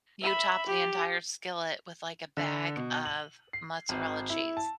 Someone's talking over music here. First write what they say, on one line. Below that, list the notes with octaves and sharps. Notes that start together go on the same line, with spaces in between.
you top the entire skillet with like a bag of mozzarella cheese,
E5 B5
G4
D3
B2
F#7
C7
G#1
E4
A5